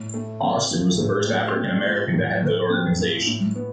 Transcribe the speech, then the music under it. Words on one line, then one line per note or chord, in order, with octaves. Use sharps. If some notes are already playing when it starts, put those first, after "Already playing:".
Austin was the first African American to head the organization.
Already playing: A2
A3
C4
F3
A2
A3
C4
F3
A2
A3
C4
F3
A2
B3